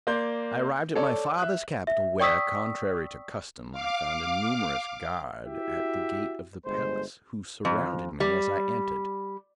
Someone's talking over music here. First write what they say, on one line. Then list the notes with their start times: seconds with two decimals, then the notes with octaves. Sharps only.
I arrived at my father's capital, where, contrary to custom, I found a numerous guard at the gate of the palace, who surrounded me as I entered.
0.07 A#3 D5 C6 G6
0.95 A4 C#5 D5
1.38 E5 F#6
1.87 E5
2.19 D5 G5 C#6 D#6 E6 B6
3.72 F5 D6
5.46 E4 F#4 G4 E5
6.66 G1 G#3 C5
7.65 F2
8.20 G3